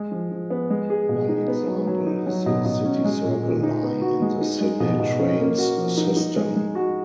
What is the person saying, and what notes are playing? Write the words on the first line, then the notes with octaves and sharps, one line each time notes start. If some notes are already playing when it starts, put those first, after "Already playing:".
One example is the City Circle line in the Sydney Trains system.
Already playing: G#3
F3
F3
B3
G#3
G#4
B2
D#4
B3
F#3
F#3
D#4
F#3
B2
B2
C#4
G#3
A#2
A#2
D#4
B3
F#4
G#3
D#4
G#3
B2
B2
C#4
A#3
F#4
F3
D#4
D#4
G#3
G#3
F#4